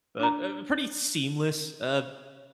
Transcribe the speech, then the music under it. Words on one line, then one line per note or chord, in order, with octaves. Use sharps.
But, um, pretty seamless, um,
D4 A#5